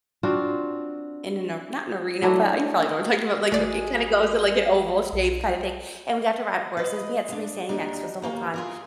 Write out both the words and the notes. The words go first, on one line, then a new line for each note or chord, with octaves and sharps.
in a not an arena, but you probably know what I'm talking about, like, it kinda goes to, like, an oval shape kinda thing, and we got to ride horses, we had somebody standing next to us the whole time
C4 D4 F4 F#4
F#3 A3 D4 E4
A1 G#3 A3 F#4 G#4 D5
B1
B4 D#5
G#3 D4
D#2 D4 D#4
D#2 A#3 C#4
F4 G#4 A#4